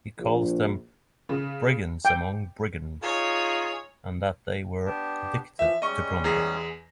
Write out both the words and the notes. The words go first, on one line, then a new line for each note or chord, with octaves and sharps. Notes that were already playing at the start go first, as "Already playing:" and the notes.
He calls them "brigands among brigands" and that they were "addicted to plunder".
A#1
C#3
G5
D#4 F4 G#4 C#5
B3 D4 G4
E3 F3 E5
G3 G#3 C#4 D#5 C#6
E2 G#4 A#6